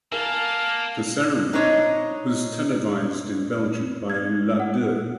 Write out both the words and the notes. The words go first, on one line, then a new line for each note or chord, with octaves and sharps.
The ceremony was televised in Belgium by La Deux.
A#3 A#4 F5 G#5 A5
D4 D#4 C5 C#5 D#5
G#6
F#5